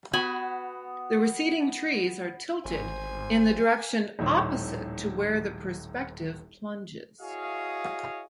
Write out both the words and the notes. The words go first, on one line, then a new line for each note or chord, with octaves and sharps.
The receding trees are tilted in the direction opposite to where the perspective plunges.
B3 F#4 G#5 B5
G#1 C5 G#5
D#1 A#1 A2 D#3 C#5
E4 F#4 G#4 C#5 D#5 F5